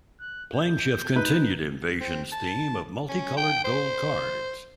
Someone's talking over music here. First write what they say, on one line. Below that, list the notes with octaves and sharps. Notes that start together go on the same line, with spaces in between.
Planeshift continued Invasion's theme of multi-colored "gold" cards.
F#6
G6
D#4 B4
C4
A5
C#4
G5
C5